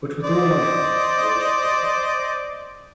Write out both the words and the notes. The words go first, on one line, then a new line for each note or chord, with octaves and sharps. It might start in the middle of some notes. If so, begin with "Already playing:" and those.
But with all my heart, I wish it was so.
C5 D5 D#5